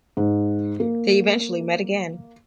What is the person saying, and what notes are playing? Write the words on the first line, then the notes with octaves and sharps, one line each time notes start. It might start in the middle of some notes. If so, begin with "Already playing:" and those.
They eventually met again.
G#2
A#3